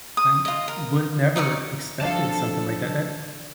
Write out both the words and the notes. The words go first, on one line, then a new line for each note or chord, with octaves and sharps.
I I would’ve never expected something like that that
D#6
F4 D#5
A#4
D#4 D5 E5 C#6
F3 D4 A4 F5 A5